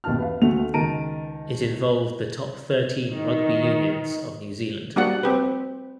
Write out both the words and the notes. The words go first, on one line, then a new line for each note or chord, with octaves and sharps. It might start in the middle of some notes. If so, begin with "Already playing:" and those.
It involved the top thirteen rugby unions of New Zealand.
A1 D#2 B2 E3 A5 F6
B4 E5 F5
D2 A3 F#4 F7
C#2 D#3 A5 A#5 D7 D#7
D#3
G3 A#3 D4 F#4 D5 F#5
C4 G4 B4